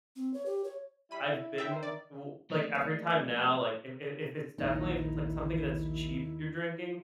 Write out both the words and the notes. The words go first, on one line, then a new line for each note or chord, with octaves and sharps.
I I've been w like, every time now, like, if if if it's definitely, if it's, like, something that's cheap you're drinking,
C4
C#5
G4
C#5
G3 E4 B5 D#7
E4
E5 G5
A#4 C5
D#3 D5
F3 A3 A#3 G#4 D5 D#5
A#1 D#2 A#3 D#4 E4